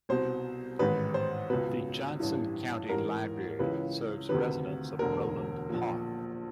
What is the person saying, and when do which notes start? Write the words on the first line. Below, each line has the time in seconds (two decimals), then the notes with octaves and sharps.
The Johnson County Library serves residents of Roeland Park.
0.09 C2 B2 C5
0.79 A1 G#2 D#3 B4
1.14 C5
1.50 C#2 B2 B4
2.20 A1 G2 E3
2.89 A1 G#2 E3 A#4
3.59 C#2 C#3 E3 B4
4.29 D2 C3 D#3 B4
4.99 E1 D2 D3 A#4
5.69 A#1 A#2